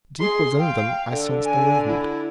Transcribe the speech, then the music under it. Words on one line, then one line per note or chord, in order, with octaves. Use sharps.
Deep within them I sensed a movement.
G#4 C6
F5 G5
D3 A4
G#5
E4